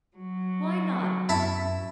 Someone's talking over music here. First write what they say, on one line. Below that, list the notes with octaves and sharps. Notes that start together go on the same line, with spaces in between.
Why not?
F#3
F#2 E4 E5 A5